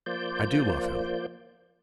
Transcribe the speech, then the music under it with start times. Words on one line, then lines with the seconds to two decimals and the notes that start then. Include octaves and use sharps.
I do love him.
0.06 F3 A#3 C5 D5 G6